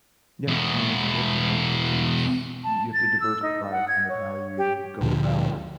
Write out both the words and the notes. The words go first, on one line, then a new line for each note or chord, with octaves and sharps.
Yeah. I mean, it's important right? It's a it's you have to diversify kind of how you go about
E2 B2
A5
A6
E6
D#4
F#5
G#6
C#5
G4
D2 A#2 D3 F3